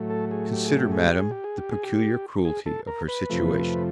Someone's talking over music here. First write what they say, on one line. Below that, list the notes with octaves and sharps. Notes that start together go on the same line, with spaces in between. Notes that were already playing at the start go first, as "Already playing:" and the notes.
Consider Madam, the peculiar cruelty of her situation.
Already playing: A2 F#3 A3
A4
G#4
G4
G#4
G4
G#4
G4
G#4
G4
G#4
G4
G#4
G4
G#4
A4
A#4
B4
F2 C3 F3 A3